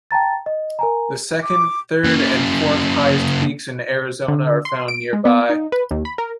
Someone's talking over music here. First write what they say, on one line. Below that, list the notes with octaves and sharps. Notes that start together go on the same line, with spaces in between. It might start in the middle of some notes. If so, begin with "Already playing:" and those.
The second, third, and fourth highest peaks in Arizona are found nearby.
G5 A5 A#5 A6
D#5
A#4 G#5 A#5
D6
C#3 A#3
D3
C6
D7
G#3
B3
D#4
B4
D#2
B5
A#4